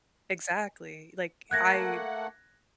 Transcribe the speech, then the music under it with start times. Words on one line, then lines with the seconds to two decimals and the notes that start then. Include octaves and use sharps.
Exactly, like, I
1.51 A3 A#3 F#5 F#6 G#6 A#6